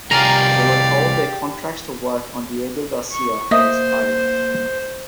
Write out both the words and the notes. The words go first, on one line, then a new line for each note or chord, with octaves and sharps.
They were told their contracts to work on Diego Garcia had expired.
C2 G4 G#4 D5 F5 A#5 F6
C#6
A#3 C5 D#5 E5 D#6